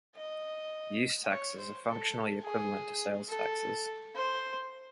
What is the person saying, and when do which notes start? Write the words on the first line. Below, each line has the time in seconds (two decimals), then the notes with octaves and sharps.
Use taxes are functionally equivalent to sales taxes.
0.16 D#5
1.30 C#5
1.58 C5
1.87 A4
2.44 G#4
3.29 A4
4.16 C5